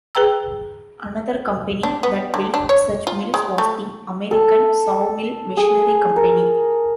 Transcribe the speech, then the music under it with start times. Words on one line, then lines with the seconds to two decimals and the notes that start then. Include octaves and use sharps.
Another company that built such mills was the American Sawmill Machinery Company.
0.15 G#4 B4 G5 A#5 E6
1.83 D4
2.03 B3
2.34 D3
2.54 D4
2.69 C#5
3.07 F4
3.34 G#3
3.58 A3
4.31 A4
5.57 G#4
6.16 A#4